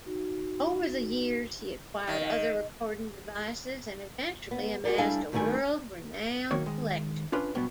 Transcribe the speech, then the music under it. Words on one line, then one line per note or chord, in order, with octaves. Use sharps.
Over the years, he acquired other recording devices and eventually amassed a world-renowned collection.
D#4 F#4
D#3
B3
F#4 G#4 A#4 D5
G3 D4 E4 A4 F5 G#5
D2 G2 D3 D#3 A3 G#5
D#3 F#3 A#3 C#5
D#3 G#3
C#4 D4 F4 B4
G2 B2 F#3 B3